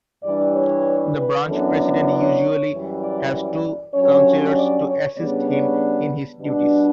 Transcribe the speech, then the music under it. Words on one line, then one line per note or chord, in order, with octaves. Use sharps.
The branch president usually has two counselors to assist him in his duties.
G2 E3 G3 D4 D5
C#5
B4
F#2 E3 B3 D4 A4
C#5
F#2 E3 G3
D5
D5
G2 F#3 C#4 C#5
D5
C#5
C#3 G3 B3 D4 D5
C#5
B2 G3 D4